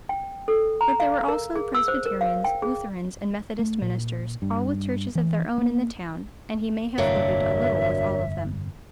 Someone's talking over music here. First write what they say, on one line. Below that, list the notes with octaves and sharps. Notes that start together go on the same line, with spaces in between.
But there were also Presbyterians, Lutherans, and Methodist ministers, all with churches of their own in the town, and he may have flirted a little with all of them.
G5
A4
A#5
F5
A#4
G#4
E6
C5
A#4
F5
G5
G#4
A3
A#2
G2
E3
A#3
G1 F2 C3 F#3 A#3 D4 E5